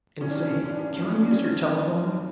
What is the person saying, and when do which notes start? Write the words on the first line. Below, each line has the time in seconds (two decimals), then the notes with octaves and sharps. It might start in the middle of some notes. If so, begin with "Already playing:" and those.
'And say, can I use your telephone?'
0.21 D#3 C#4
0.29 D4
0.36 C#4
0.43 D#3 D4
0.50 C#4
0.58 D4
0.65 G2 C#4
0.72 D4
0.79 C#4
0.87 G2
1.09 D#3 C#4
1.20 D4
1.31 D#3 C#4
1.42 C4
1.53 G2
1.75 G2
1.97 D#3